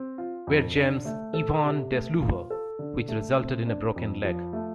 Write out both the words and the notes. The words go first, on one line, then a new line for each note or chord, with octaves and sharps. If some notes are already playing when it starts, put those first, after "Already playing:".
Waregem's Ivan Desloover, which resulted in a broken leg.
Already playing: C4
F4
F2
D3
A3
A4
C3
A3
F4
A4
D3
A3
C4
D4
F2
F3
A3